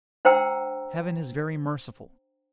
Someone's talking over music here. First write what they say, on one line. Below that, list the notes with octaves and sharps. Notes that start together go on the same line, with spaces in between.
Heaven is very merciful.
D4 C5 F#5 G5 A#5 E6